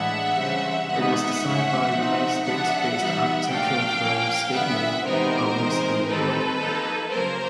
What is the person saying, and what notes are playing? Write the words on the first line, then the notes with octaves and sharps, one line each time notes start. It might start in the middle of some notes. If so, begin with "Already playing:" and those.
It was designed by United States-based architectural firm Skidmore, Owings and Merrill.
Already playing: A2 E3 G#3 B3 D4 E5 F#5
C#3 E3 G3 C4
B2 G#3 B3 D#4 E5 F#5
A2 F3 G#3 C#4
F3 A3 C4 D#4
F3 G#3 B3 D4 E5 F#5
E3 G3 B3 D#4
A#2 F3 A3 D4 F5 G5
F3 A#3 C#4
D3 F#3 B3 E5 F#5
C3 E3 G#3 B3 D#4 A#4 C5
C3 E3 G#3 C4 D#4
D#3 G3 C4 D#4 A4 B4
F3 A#3 D#4
C#3 F#3 A#3 A#4 C5